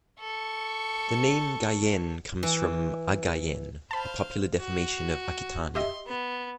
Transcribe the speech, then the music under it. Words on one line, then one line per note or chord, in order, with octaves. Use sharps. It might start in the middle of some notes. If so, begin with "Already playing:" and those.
The name "Guyenne" comes from "Aguyenne", a popular deformation of "Aquitania".
A4 C#6
E3
C5 F5 A5 B5
F#4
G4 D#5 E5 C6
B3